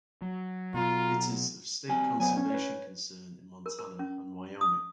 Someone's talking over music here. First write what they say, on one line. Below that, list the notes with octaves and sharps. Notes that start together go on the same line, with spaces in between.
It is of state conservation concern in Montana and Wyoming.
F#3
B2 F#3 F4 A#5
G3 C4 G#5
F#3 B3 C5 G#5
C#4
B4 C#5
A#4
A#4
C#4
D#6